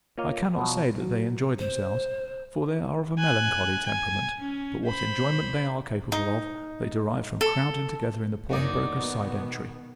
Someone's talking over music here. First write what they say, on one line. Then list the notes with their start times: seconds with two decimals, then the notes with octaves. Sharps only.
I cannot say that they enjoy themselves, for they are of a melancholy temperament; but what enjoyment they are capable of, they derive from crowding together in the pawnbroker's side-entry.
0.18 A#3 F4 C#5 D#5
0.56 B2 F3 F#3
1.01 F#3
1.58 C5
3.18 G#5 F#6
3.86 G#5
4.40 C#4
4.86 C5 B5
6.12 D#4
7.41 A4
8.49 F#1 D#2 D#3 F#3 D#4 D5
8.92 B2 D#3 B3